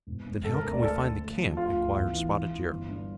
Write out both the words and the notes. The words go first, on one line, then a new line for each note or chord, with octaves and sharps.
"Then how can we find the camp?" inquired Spotted Deer.
E1
E1
C3 A4
A#4
D2
D5
D2 A4
D2
D2
F3
D2 F4
D2
E2
E3
E3
E3
G1
G2